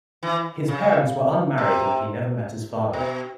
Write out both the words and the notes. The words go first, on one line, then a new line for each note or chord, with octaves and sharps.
His parents were unmarried and he never met his father.
E3
C#3
C3
B2